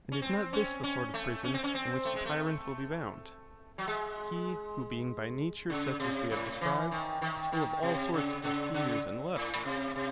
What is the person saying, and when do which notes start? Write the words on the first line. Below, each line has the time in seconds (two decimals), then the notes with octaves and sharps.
And is not this the sort of prison in which the tyrant will be bound--he who being by nature such as we have described, is full of all sorts of fears and lusts?
0.12 C#4
0.22 C4
0.53 C#4
0.83 C#4
1.14 A3
1.44 C#4
1.54 C4
1.64 C#4
1.74 C4
2.05 A3
2.15 G#3
2.25 A3
3.78 F#3
3.88 G#3
5.70 C#3
6.00 C3
6.31 A2
6.61 E3
6.91 D#3
7.22 D#3
7.52 D#3
7.83 C3
8.14 C#3
8.44 C#3
8.74 C#3
9.36 A2
9.55 A2
9.65 C3
9.96 C3